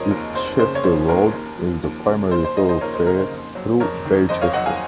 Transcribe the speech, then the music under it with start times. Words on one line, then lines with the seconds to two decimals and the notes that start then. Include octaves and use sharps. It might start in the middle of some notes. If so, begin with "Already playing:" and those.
Eastchester Road is the primary thoroughfare through Baychester.
Already playing: F1 C#3 F3 A#4 C5 C#5 D#5
0.11 D#2
0.34 F1 C5
0.59 C#3 C5
0.75 C#5
0.84 F3 C5
1.09 D#2 A#4
1.33 D#2
1.57 F3
1.83 D#2
2.07 C#3
2.31 D#2 C5
2.45 C5
2.56 F3 C5 D#5
2.69 C5 D#5
2.81 D#2 A#4 C#5
2.93 C5
3.05 C#3 A#4
3.19 C5
3.31 F2
3.55 F#3
3.80 F2 A#4 C#5
4.05 D#3
4.29 F2 C5 D#5
4.41 C#5 F5
4.53 F#3 D#5 F#5
4.66 F5 G#5